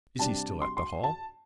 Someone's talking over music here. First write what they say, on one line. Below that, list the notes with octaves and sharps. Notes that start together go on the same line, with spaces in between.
"Is he still at the Hall?"
C3 G3 D4 A5
C6
C6
A5